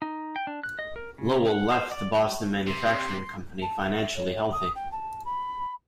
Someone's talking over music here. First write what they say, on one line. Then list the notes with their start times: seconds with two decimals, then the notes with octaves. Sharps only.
Lowell left the Boston Manufacturing Company financially healthy.
0.02 D#4
0.36 G5
0.47 D4
0.63 F#6
0.79 D#5
0.96 A#4
1.18 C#3
1.48 F#5
1.72 C5
1.92 D5
2.15 G3
2.67 C3 C6
3.62 A5
3.84 E5
4.02 E5
4.16 C#5
4.52 D#6
4.75 G5
4.92 A5
5.25 B5